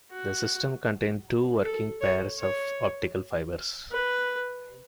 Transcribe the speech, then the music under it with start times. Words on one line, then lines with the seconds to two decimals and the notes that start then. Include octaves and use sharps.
The system contained two working pairs of optical fibers.
0.11 F#4
1.63 A4
2.01 C#5
2.39 C#5
3.91 B4